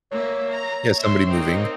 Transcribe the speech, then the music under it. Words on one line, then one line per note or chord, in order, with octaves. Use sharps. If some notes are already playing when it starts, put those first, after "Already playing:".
Yeah, somebody moving.
A#3 C#5 E5
A#5
E5 C6
A#3 C4 D#4